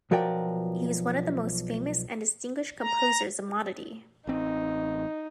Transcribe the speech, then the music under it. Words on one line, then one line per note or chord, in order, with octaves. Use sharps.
He was one of the most famous and distinguished composers of monody.
B1 F3 F#4 A#4 D5 G5
A#5
A1 C4 D#4